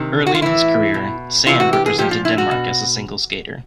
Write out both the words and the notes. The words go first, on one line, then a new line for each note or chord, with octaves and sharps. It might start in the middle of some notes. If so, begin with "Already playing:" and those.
Early in his career, Sand represented Denmark as a single skater.
Already playing: C3 D#3
F#4
F4
A2 E3 E4
B2
C3 E3 F4
F#4
G4
G#4
A#2 F3 G4
F4
E4
F#4
B2